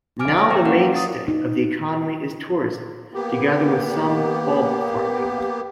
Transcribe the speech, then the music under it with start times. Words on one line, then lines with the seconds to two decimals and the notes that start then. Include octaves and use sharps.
Now the mainstay of the economy is tourism, together with some bulb farming.
0.19 G#5 D6 F6 D7
0.38 C#5 A#6
0.50 A#3 C5 D5 G5 A#5 A#6
0.65 C#4 F4 A#4 D5 F5 F#5
0.93 D#6 A6 C7
1.28 D#4
3.14 A#3 B3 G4